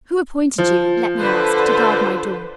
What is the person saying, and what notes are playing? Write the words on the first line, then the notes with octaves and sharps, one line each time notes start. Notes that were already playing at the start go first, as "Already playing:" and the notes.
Who appointed you, let me ask, to guard my door?
F3
D3 B4 C5